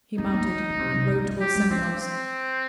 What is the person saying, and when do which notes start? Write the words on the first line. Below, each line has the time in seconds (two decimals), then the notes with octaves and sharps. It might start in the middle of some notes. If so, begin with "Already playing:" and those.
He mounted and rode toward Semenovsk.
0.18 C4 D#4
0.34 A#3
0.48 D3
0.70 D3
0.79 C3
0.95 C3
1.09 D3
1.25 F3
1.40 G4
1.55 G#3
1.70 C4 D4
2.01 C4